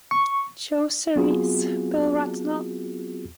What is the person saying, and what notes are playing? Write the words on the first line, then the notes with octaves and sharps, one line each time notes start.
Joe series, Bill Ratner.
C#6
F#3 B3 C4 F4 F#4 G#4